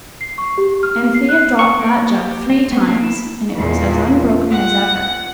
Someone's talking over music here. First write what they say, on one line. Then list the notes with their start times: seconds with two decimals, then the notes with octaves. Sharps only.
Anthea dropped that jug three times, and it was as unbroken as ever.
0.21 C7
0.38 C#6
0.58 G4
0.83 F6
1.15 C7
1.29 F#6
1.59 C#6
1.79 A#3
2.10 G4
2.50 C4
2.72 B3
2.87 A#3
3.04 E4
3.54 E2 A#2
3.87 F4
4.50 F#5